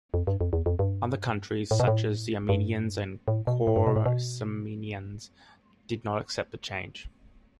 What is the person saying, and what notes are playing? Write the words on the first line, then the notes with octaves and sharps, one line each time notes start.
Other countries, such as the Armenians and Choresmians, did not accept the change.
F2
G2
F2
E2
F2
G2
A2
B2
A2
G2
A2
B2
A2
G2
B2
A2
B2